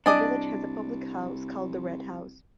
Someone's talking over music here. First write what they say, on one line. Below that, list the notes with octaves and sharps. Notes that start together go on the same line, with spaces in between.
The village has a public house called the 'Red House'.
C2 D4 D5 D#5 G#5